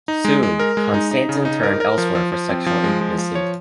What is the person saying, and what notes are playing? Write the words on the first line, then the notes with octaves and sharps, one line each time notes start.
Soon, Konstantin turned elsewhere for sexual intimacy.
D#4
G#3
G#3
A#4
G#3
D#4
D#4
C#3
D#4
A#4
A#4
F3
F3
F3
C4
F3
G#3
F3
F3
C#5